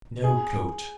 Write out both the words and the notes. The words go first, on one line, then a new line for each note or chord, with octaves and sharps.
No coat!
G#4